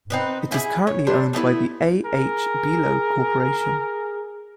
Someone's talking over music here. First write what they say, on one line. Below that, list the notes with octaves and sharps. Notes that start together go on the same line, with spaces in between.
It is currently owned by the A. H. Belo Corporation.
C4 D#4 B4
E4 G4 G#4
C#5
G3 D4 C5
A3 B3 D#4 E4
G#4 A#4